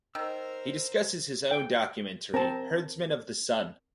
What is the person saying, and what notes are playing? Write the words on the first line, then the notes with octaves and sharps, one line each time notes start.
He discusses his own documentary "Herdsmen of the Sun".
D#3 A#4 C5 E6
G5
C4 A#4 A5